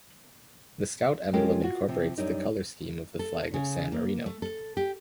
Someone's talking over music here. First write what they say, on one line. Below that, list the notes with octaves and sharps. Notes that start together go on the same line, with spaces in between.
The Scout emblem incorporates the color scheme of the flag of San Marino.
G#3 C#4 F4 G4 A4 A#4
F4 F#4
C3 F3
F#2 G3 D4 D#4
A4
C#3
A#3
A3
A4
G4